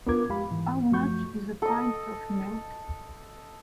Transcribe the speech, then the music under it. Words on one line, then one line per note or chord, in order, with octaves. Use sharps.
How Much Is A Pint Of Milk?
B3 D4 F4 A#4 D6 G#6
F2 G#3 G4 F5 B5
G#2 E3
F#2 F3 A3 F#4 C#6 G6
A4 D#5